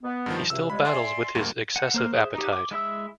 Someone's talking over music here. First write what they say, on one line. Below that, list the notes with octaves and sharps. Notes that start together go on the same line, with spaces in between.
He still battles with his excessive appetite.
B3
G2 D#3 F3
C#2 C3 E6
F3 G3 G#3 B5
D5 E5 G#5 C6
D2 G2 A#3
F#5
A#3 C5 F6
G#4 C5 E5
D#4 G4
D6
G#3 E4 E5 E6